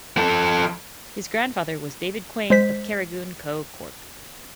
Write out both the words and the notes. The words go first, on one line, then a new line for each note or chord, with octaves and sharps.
His grandfather was David Quain of Carrigoon, co. Cork.
F3 A4
G#3 C5 B6